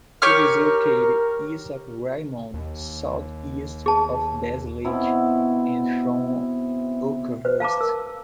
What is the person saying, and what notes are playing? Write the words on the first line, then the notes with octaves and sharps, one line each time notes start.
It is located east of Raymond, south east of Bass Lake and from Oakhurst.
G4 A#4 C#5 F6
D#2
G#4 A5
B2 C4 E4
B4 C5
F5 A5 A#5 D6
A#4 E6